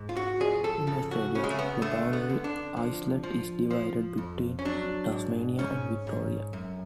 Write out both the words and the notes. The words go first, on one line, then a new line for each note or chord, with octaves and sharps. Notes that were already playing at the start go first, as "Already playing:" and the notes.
In Australia, the Boundary Islet is divided between Tasmania and Victoria.
Already playing: G#2
F4
F#4
F3 G#4
A4
C#3 A4
F#4
C#3 C#4
G#3
A3
B3
D3 A3
B3
D3
D4
F3
F3
F3
F2
C#4
F#3 D4
G#2
G#2 C#4
G#2
F#2